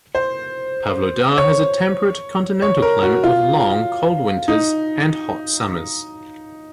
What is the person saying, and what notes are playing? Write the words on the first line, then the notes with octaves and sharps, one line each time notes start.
Pavlodar has a temperate continental climate with long, cold winters and hot summers.
C5
C#5
C#5
A#4
F#4
F4
D#4